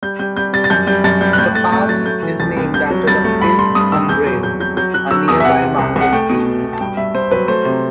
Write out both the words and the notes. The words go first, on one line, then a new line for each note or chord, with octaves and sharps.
The pass is named after the "Piz Umbrail", a nearby mountain peak.
G3 G6
G3 G6
G3 G6
G3 A6
A6
F#2 G6
G3 G6
F#2 A6
G3 G6
F#6
A2 G6
A3 A6
A3 A6
F#3 A6
A3 G6
E3
C2 A6
C2
G2 G6
F#3
G2 A6
A3
G2 B5
G2 C6
G2 D#6
D#3 E6
E2 G6
F#3 G6
F#3 G6
F#3 G6
F#3 G6
F#3 F#6
F#3 E6
E2 D#6
E5
C3 F#5
C3
C2
C2 F#5
A3 G5
B2
B2
B2
A5
G2 G5
G2 E5
G2 C5
F#3 B4
A3 C5
C3